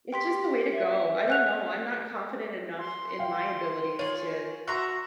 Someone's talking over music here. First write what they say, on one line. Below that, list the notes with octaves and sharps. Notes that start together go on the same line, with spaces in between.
It's just the way to go, I don't know, I'm not confident enough in my abilities to
G4 G5 C6 B6
E5
F#5 F#6 F7
C6
F5 G5
F4 G#4 C#5
F#4 E5 A#5 C6 C#6 F#6